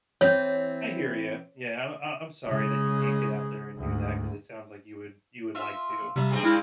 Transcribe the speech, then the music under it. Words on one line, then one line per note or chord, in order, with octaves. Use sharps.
I hear ya. Yeah, I I I'm sorry that you can't get out there and do that 'cause it sounds like you would you would like to.
E3 C4 C#5
C#3 G#3
D2 G#2
F4 E5
C3 G3 E5
G2 C4 G#4
G#3 E4 F6